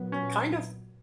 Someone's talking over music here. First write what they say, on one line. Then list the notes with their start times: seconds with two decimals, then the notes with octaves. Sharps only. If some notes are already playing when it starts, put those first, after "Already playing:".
kind of
Already playing: A#2 F#3 B3
0.12 C#4